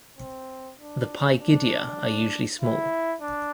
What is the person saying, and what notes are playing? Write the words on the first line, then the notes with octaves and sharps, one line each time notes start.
The pygidia are usually small.
C4
D4
D4
E4
D4